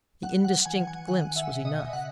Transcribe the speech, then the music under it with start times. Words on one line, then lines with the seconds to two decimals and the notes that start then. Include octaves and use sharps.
The indistinct glimpse was enough.
0.23 F#3 F#5
0.44 F#3 F#5
0.66 E3 G#5
0.82 F#3
0.87 E3 G#5
1.08 D#3 F#5
1.36 E5
1.51 B2
1.65 D#5
1.93 C#3 F#5